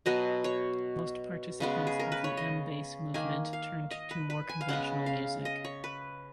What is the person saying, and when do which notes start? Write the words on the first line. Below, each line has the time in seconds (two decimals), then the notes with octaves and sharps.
Most participants of the M-Base movement turned to more conventional music.
0.06 B2 F#3 B3 D#5
0.44 C#5
1.60 C#3 G#3 B3
1.87 G#4
2.00 A#4
2.12 B4
2.24 C#5
2.37 D#5
3.14 D#3 A#3 G#5
3.53 F5
3.91 D#5
4.11 B4
4.30 B4
4.49 G#5
4.61 F5
4.69 C#3 G#3 B3 F#5
5.06 F5
5.45 D#5
5.65 C#5
5.84 B4